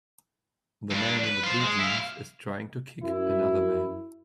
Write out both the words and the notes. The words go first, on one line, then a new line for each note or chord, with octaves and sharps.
The man in the blue jeans is trying to kick another man.
G2 D4
B4
F4 C5
G#3
E4 F5
F#2 E4